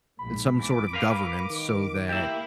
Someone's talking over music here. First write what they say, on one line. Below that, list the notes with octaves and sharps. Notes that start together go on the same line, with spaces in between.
and some sort of governance so that,
A#1 G#2 B5
E2 D6
A#4 B4 F5
D#3
A#3 E4 G4 E5